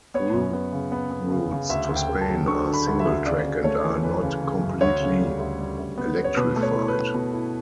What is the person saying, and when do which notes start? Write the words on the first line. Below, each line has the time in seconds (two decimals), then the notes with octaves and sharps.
Through routes to Spain are single-track and are not completely electrified.
0.14 B3 C#5
0.33 F#2
0.53 B3
0.72 C#3
0.92 B3
1.11 B3
1.31 C#3
1.51 C#3
1.70 D2 E5
1.89 D2
1.96 G5
2.09 D2
2.21 A5
2.29 F#3
2.48 D3 C#6
2.67 D3
2.74 B5
2.87 D2
3.00 E5
3.05 D2
3.25 C#3 D5
3.45 C#3
3.64 A3 C#5
3.84 E3
4.03 E3 B4
4.22 C#3
4.42 C#3
4.61 F#2
4.81 D2 C#5
5.01 C#3
5.20 G3
5.39 D2
5.59 G3
5.78 D2
5.98 B3
6.17 B3
6.24 C#5
6.36 B2 B4
6.56 A3
6.63 C#5
6.76 E4
6.88 B4
6.95 E4
7.14 B2
7.34 E4